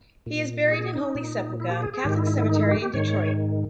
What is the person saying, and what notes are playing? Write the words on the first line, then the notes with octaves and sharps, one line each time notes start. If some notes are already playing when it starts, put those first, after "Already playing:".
He is buried in Holy Sepulchre Catholic Cemetery in Detroit.
A#2
G#4
D#4
A#2
E4
G4
G#4
G#4
G#2 D#3 G4
E4
E4
E4
D#4
E4
G4
G4
G#2 D#3 C#5